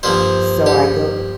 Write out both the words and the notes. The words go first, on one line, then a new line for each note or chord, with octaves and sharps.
So, I go
G2 F3 A#3 C5
G4